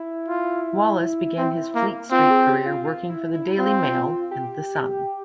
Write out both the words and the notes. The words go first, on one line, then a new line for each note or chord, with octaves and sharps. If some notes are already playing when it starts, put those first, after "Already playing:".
Wallace began his Fleet Street career working for the "Daily Mail" and "The Sun".
Already playing: E4
F4
C4
A#3
C4 F4
G#4
G4
F4
F4
E4
E4
C4 F4
G4